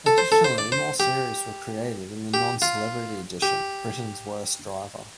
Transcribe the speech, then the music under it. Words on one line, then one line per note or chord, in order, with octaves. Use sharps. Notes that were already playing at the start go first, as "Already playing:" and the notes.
Additionally, more series were created in the non-celebrity edition, Britain's Worst Driver.
A4
C5
A4
C5
D5
C5
G4
G4
F4
G4